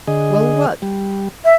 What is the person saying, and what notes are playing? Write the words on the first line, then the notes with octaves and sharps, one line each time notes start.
"Well, what?"
D3 G#4 D#5
G3
E5